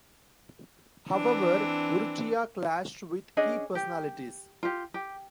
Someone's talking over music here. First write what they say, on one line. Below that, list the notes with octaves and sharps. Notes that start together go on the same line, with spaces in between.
However, Urrutia clashed with key personalities.
E3 C4 D4
C#4 D4 G#4 D#5
G4
F4 G4
G4